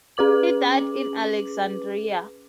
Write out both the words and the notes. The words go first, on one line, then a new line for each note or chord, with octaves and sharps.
He died in Alexandria.
C#4 G#4 B4 D6 F#7